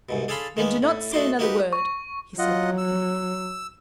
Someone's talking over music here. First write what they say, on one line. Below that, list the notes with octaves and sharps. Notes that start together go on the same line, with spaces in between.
"Then do not say another word," he said, promptly.
C2 G#2 B2
D4 G#4 A4 F5 B5 C6
D#3 G#3 A#3 B3
A2
A3 D#4 F#4 C6 D6
A#3 D#4 F#4 G4 B4
C#6
F#3 F4 D#5 F#5
E6